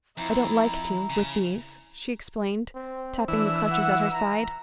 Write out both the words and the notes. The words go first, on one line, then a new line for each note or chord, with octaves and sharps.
"I don't like to--with these," she explained, tapping the crutches at her side.
F2 E4 A#5
C#3
C4
E3 D4 E6
F#5
A#5